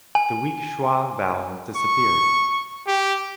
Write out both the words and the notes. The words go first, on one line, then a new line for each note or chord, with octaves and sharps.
The weak schwa vowel disappeared.
G#5
C#6
G4